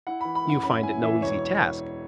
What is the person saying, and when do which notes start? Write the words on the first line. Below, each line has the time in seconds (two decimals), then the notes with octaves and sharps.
You find it no easy task.
0.07 E4 F#5
0.21 E3 B5
0.35 B5
0.45 F#2 F#5
0.63 C#4 B5
0.83 E4 G#5
1.02 E3 E5
1.22 E1 C#5